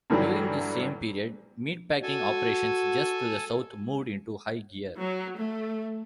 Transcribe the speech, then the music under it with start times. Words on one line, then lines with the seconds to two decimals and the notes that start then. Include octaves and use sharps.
During this same period, meatpacking operations just to the south moved into high gear.
0.10 G2 D3 E3 F#3 G3
2.03 F#4 A4 G#5
4.99 F#3
5.38 A3